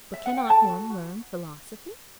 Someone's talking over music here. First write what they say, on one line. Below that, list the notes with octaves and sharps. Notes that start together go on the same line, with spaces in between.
"But cannot one learn philosophy?"
E5
F#5
G5
A4 A5
F#4
F#4